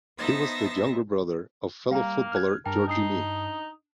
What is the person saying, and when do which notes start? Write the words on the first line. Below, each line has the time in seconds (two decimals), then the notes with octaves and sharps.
He was the younger brother of fellow footballer Georgie Mee.
0.18 B3 D#4 C5 E5 A5 A#6
1.91 G3 A#3 F5 G5 A#5
2.32 F6 F#6 G#6
2.66 G2 A#4 G5 A5
2.88 D4 D#4 D#6 C7